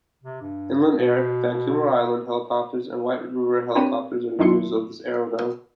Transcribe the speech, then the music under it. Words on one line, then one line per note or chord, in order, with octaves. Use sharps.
Inland Air, Vancouver Island Helicopters and White River Helicopters are users of this aerodrome.
C3
G2
B2
C4 D4 G4 B4 C#5 D#7
F#2 D#3 D4 E4 C6 C#7